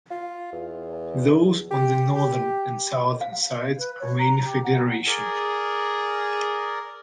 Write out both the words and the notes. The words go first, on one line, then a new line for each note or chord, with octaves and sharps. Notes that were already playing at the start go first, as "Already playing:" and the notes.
Those on the northern and southern sides are mainly Federation.
F4
E2
G4
G4
F5
B4
C#5
A#5
G4
F#5
G#4 A#4 D5